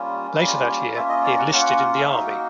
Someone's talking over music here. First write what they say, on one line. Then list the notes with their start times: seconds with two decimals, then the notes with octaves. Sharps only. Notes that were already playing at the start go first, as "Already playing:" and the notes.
Later that year, he enlisted in the army.
Already playing: G3 A#3 C#4 F4
0.39 G3 A#3 C#4 F4
0.95 A#3 C#4 F4 E5
1.09 D#5
1.24 D5
1.38 F#5
1.53 A#3 C#4 F4 F#5
1.99 E5
2.09 A#3 D#4 F#4 F5